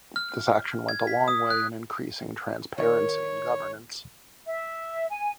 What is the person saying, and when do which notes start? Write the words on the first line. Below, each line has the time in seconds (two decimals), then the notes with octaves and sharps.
This action went a long way in increasing transparency in governance.
0.16 F6
0.89 G#6
1.07 B6
1.28 D#6
1.50 F#6
2.78 D#3 C#5
4.48 E5
5.10 G#5